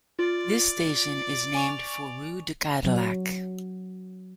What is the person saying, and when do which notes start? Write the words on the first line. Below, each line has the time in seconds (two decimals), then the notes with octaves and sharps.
This station is named for rue de Cadillac.
0.19 F4 D5
1.55 G#5 C#6 F7
2.86 F#3